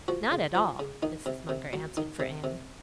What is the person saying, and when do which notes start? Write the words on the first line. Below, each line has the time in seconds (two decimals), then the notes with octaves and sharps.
"Not at all!" Mrs. Munger answered for Annie.
0.08 F3 F#4
0.31 C#3
0.55 F3
0.80 C#3
1.03 D#3 D#4
1.26 C3
1.49 C3
1.73 F#3
1.97 D#3 D#4
2.20 C3
2.44 C3